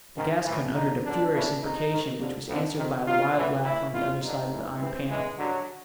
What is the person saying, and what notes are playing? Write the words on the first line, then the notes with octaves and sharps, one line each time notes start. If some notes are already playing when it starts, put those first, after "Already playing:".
The Gascon uttered a furious imprecation, which was answered by a wild laugh on the other side of the iron panel.
G#2 D#3
A2 E3
F2 D3 D#4
F#2 D3 D4
E2 C#3 E3 D4
G#2 D#3 D#4
G#2 D#3
F2 D3
F2 D3
F2 C3 D#3
G2 D#3 F4
A2 E3
A2 E3 E4
E2 B2 F4
G2 D3 D#4
A2 E3
G#2 E3 C4
E2 C#3 E3 G#3
G2 D3 F#3